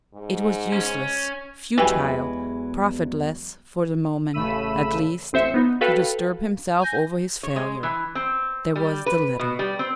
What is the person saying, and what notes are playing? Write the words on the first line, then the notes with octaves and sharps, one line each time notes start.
It was useless, futile, profitless, for the moment, at least, to disturb himself over his failure--there was the letter!
G#2
C#4
E2 E3 F#3 G#3 G4 G#5
A1 C#3 A3 B5 E6 D#7
A1 C4 C5 E5 C#7
B3 D#4
F#4 A4 B4 F5 G5
G#5 G6 A#6
C#5
G#3
E3
C4
G3
B4
B2
G3
C4